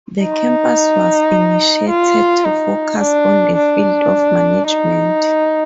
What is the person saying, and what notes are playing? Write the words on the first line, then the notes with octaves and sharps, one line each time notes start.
The campus was initiated to focus on the field of management.
D#4
F4
D#4
D4
D4
D#4